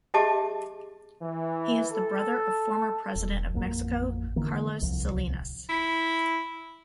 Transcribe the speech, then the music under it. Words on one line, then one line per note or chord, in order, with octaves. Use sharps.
He is the brother of former President of Mexico Carlos Salinas.
G4 G#4 D#5 E5 A5 D6
E3
A4
E1
A1 F2 A#3
D3 E3 A#3
D1 C2 F3
E4